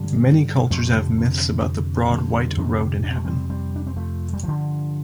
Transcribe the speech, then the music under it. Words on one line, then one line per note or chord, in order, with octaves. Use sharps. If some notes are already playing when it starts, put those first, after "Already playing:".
Many cultures have myths about the broad white road in heaven.
Already playing: G2 D3 G3
F2 C3 F3 A3
A3
D3 G3
D3
D3 G3
F2 C3
D4
C4
A3
G3 C4
G3 C4
D4
C4
F3 A3
G3
G2 D3 F3